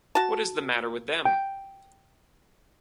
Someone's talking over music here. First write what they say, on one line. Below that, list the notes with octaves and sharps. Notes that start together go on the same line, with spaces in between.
What is the matter with them?
F#4 A5
G5